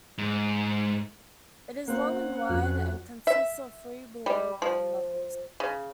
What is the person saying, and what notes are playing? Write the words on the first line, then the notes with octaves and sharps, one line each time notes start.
It is long and wide, and consists of three below-ground levels.
G#2
A#3 C4 C#4 F#5
F2 F#3
E5
G3
F3
C#3